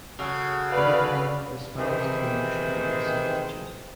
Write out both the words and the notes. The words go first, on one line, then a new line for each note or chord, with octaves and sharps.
Therefore the Spanish team should be the substitute.
C#3 C#4 F#4 A4
B4 D5 F5
C3 D#3 E3 G#4 C5